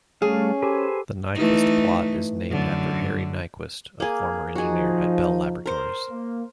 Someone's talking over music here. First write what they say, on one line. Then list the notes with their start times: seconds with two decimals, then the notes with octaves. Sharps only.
The Nyquist plot is named after Harry Nyquist, a former engineer at Bell Laboratories.
0.22 G3 A3 C#4 G#4 F5
0.62 G4 A4 B4 C5 G#5
1.35 E3 A3 D#4
2.50 F#2 D3
4.00 A#3 G#4
4.55 F3 D#4 F#4 G#4
5.66 A#4 C5
6.11 A#3